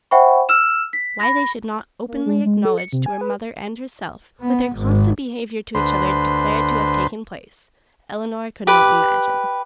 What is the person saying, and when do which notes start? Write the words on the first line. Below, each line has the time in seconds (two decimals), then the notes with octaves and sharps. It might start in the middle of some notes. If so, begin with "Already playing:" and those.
Why they should not openly acknowledge to her mother and herself, what their constant behaviour to each other declared to have taken place, Elinor could not imagine.
0.11 C5 E5 F#5 G5 B5 C#6
0.49 E6 F6 E7
0.93 B6
1.20 B5 A#6
2.08 A#3
2.26 G#3
2.45 G#3
2.65 A4
2.78 C#7
2.93 C3
3.06 G#5
3.21 B4
4.41 B3
4.77 G#1
5.75 D2 B4 C5 C6
8.67 G4 B4